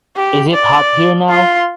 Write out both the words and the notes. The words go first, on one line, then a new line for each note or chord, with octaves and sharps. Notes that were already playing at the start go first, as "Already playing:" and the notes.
Is it hot here now?
G4
D5
F4 C6